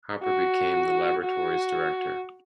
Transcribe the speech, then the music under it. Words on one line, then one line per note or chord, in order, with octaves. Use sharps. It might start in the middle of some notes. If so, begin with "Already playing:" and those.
Hopper became the laboratory's Director.
F#4
F#4